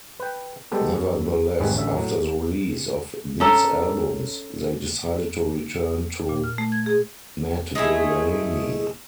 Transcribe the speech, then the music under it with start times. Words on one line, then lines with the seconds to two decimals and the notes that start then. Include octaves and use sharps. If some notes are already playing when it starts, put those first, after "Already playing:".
Nevertheless, after the release of these albums, they decided to return to "Madvillainy".
0.20 B4 G5
0.71 G3 G#3 B3 G4 A4
0.94 F#2
1.60 G#1 G#2 G3 G#4 B4 C#5
1.74 A1 D3 C#4 E5
1.96 A2 F#3
3.40 C#4 A4 A#5
6.29 A#2
6.44 F6
6.58 A3
6.72 G#6
6.86 G#4
7.75 G#3 A3 E4 G#4